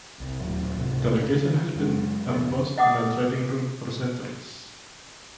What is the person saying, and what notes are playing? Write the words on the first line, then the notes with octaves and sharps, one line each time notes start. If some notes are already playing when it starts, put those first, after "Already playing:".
The location has been a post on a trading route for centuries.
C2
D#1 A2 F#3
C#2 G#2 C3
C#3
F#2 G#3
F#2 C#3 F3 B3
D#5 F#5 D6 D#6